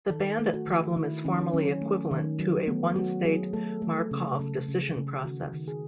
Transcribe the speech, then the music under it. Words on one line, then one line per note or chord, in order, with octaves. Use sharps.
The bandit problem is formally equivalent to a one-state Markov decision process.
D#3 A4
A3
F#4
D#3
D#3 E4
D#3 C#4
F#3 C#4
A3
D#3
F#3
A3 B3
F#3 F#4
F#3 G#4
A3 A4
A3
C#3
C#3 A4
C#3
G#4
C#3
D#3 F#4
D#3
G#4